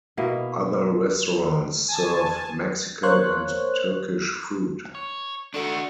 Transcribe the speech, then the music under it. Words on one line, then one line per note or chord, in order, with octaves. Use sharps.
Other restaurants serve Mexican and Turkish food.
B2 A#3 E4 D#5
G#5 A5
A#3 C5 C#5 F#6
C#5
D#3 D4 F#4 A4